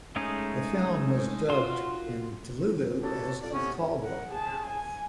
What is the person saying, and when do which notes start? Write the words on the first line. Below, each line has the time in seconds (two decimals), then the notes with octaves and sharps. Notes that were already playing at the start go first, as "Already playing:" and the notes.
The film was dubbed in Telugu as "Call Boy".
0.16 G#3 A3 C#4 D#4 G#4
1.49 F4 F#4 C6
3.02 A2 F#3 G4 A4
3.42 F2 D5
3.54 A2 C3 B3 C#4
4.01 A#4 F#5
4.31 G#4 A5
4.67 G#5